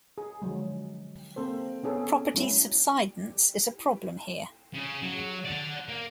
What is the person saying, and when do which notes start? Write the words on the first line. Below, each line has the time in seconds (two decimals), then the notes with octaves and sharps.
Property subsidence is a problem here.
0.18 G#4
0.42 D3 F3 F#3 G#3
1.36 A#3 C4 A4 C5
1.83 B3 C#4 G#4 A4
2.34 F#3 G#3 C#4 E4
4.74 C#3
5.02 F#3
5.45 D5 F#5
5.89 A#3